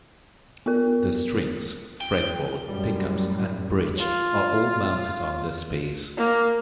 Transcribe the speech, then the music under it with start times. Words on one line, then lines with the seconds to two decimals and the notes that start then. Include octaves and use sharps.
The strings, fretboard, pickups and bridge are all mounted on this piece.
0.66 B3 F4 A#4
2.01 G5
2.64 F#2 A2 G3
3.98 F4
6.17 A#3